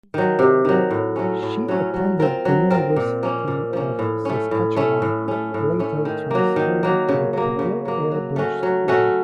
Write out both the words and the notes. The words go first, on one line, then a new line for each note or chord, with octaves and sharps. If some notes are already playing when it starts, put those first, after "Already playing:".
She attended the University of Saskatchewan, later transferring to the Kadel Airbrush School.
D#3 F#3
C3
D#3 F#3
A2
F#3 A3 C#4
A2
F#3 A3 C#4
F#3
C4 F4 A#4
F#3
C4 F4 A#4
A#2
F3 A#3 C#4
A#2
F3 A#3 C#4
A2
A3 C#4
A2
A3 C#4
A2
A3 C#4
A2
A3 C#4
D#3
F#3 A#3
D#3
F#3 A#3
C#3
F#3 A#3
C#3
F#3 A#3
F#3
A3 C#4 F#4
F#3
A3 C#4 F#4